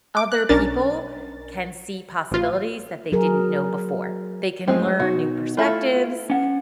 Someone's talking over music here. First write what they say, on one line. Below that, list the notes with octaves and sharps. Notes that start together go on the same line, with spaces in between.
Other people can see possibilities that they didn't know before. They can learn new perspectives,
D6
F#6
B1 C#4 D4 A#4 A6
A1 F4
F#3 G#4 A#4
F#2 A2 F3 G#3 C4
B2 D#4 F#4
A3 E4 F4 A4
C#4 F#5